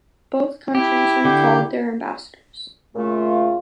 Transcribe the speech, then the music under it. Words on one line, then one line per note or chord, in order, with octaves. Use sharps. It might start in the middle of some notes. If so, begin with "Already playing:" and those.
Both countries recalled their ambassadors.
E4 G4
D3 G4
A#2 C#3 A3 F4